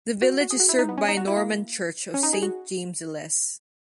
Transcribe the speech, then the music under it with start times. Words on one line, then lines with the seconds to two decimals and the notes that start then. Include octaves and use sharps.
The village is served by a Norman church of Saint James the Less.
0.22 F#4
0.41 F#4
0.51 G#4
0.60 F#4
0.69 E4
0.79 D#4
0.89 B3
0.98 C#4
1.08 D#4
1.17 F#4
1.28 E4
1.37 A#3
2.14 C#4
2.23 D#4
2.33 G#4
2.43 F#4